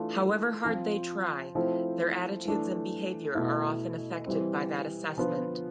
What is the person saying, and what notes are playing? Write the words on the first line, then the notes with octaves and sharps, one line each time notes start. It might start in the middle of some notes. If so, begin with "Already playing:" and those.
However hard they try, their attitudes and behaviour are often affected by that assessment.
Already playing: E3 A3 D4 F4
F3 C4 F4
F3 A3 C4 E4
E3 A3 D4
B2 A3 E4
E3 G3 C4
D3 F3 B3 F4